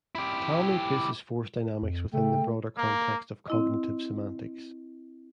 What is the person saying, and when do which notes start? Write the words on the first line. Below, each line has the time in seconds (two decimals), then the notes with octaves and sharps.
Talmy places force dynamics within the broader context of cognitive semantics.
0.15 E4 G4
1.82 F2
2.13 C#3 A3 G5
2.77 A#3
3.48 C4 E4 D#5